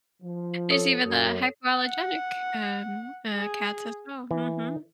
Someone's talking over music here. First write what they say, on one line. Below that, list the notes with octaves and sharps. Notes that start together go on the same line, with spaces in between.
There's even the hypoallergenic, um, uh, cats as well, mhm.
F3
A4 C#5 D#6
F#2
F#5
G#4
E3